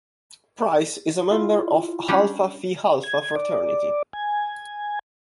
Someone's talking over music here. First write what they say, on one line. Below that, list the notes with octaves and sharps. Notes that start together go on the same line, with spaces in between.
Price is a member of Alpha Phi Alpha fraternity.
E4 F4
G3 C#4 D4
G#6
D5
G#5